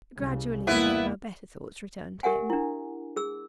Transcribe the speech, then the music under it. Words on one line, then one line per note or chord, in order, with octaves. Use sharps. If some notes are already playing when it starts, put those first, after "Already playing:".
Gradually, however, better thoughts returned to him.
C2 C#3 G3
E2 A#3 B3 E4 B4
G4 A#4 E5 F#5 G#5
D4 E4
G#4 E6